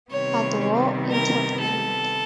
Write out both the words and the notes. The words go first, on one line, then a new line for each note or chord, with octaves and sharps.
But war intervened.
C3 D#3 G3 B3 E4 C#5
A#4
A4